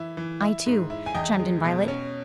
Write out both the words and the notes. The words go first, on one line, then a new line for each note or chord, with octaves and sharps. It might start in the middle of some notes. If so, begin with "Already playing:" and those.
"I too," chimed in Violet.
Already playing: E3 E4
E3
E4
G#2
E4
G#5
E2 D#5 G5
G#3
B2
C#4